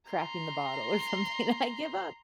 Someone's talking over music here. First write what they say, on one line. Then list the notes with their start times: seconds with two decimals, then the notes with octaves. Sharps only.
cracking the bottle or something, "I give up!"
0.10 A#5 C6